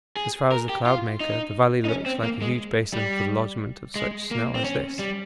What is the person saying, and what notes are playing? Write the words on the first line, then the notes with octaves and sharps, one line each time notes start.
As far as the Cloudmaker the valley looks like a huge basin for the lodgement of such snow as this.
G#4
A#4
G4
F4
D#4
D#4
C#4
C4
A#3
G#3
G3
G#3
A#3
C4
C#4
G3